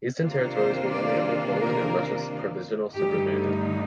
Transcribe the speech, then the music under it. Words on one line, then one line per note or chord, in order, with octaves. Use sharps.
Eastern territories were only under Poland and Russia’s provisional supervision.
C3 D#3 A#3 D4 F4
C5
D5
A#4
G2 D3 A3 D#4 G4